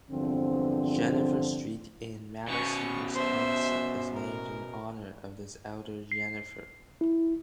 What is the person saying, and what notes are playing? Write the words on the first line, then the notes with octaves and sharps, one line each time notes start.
Jenifer Street in Madison, Wisconsin, is named in honor of this elder Jenifer.
E2 G2 D3 F3 C4
B2 C#4 C#6
C5 E5
A#4
C7
E4